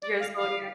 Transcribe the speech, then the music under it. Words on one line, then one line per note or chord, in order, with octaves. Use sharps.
Your zodiac
D5
F5
F5